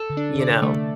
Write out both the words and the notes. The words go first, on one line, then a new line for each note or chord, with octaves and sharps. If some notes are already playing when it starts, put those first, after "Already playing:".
you know,
Already playing: A4
D3
D4
D3
C3 D5
D3
D3 A3
D3